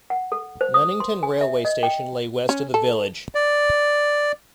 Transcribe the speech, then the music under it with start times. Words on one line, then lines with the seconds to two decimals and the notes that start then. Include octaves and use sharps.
Nunnington railway station lay west of the village.
0.10 F#5
0.32 A4
0.61 C5
0.74 D#6
1.00 C6
1.23 G#5
1.41 E5
1.65 D#5
1.83 G5
2.49 C#4
2.74 A4
3.35 D5